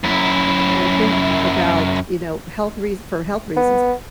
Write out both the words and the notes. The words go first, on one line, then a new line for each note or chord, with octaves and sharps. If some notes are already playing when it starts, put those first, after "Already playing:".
and think about, you know, health reas for health reasons.
F#2 E4
B3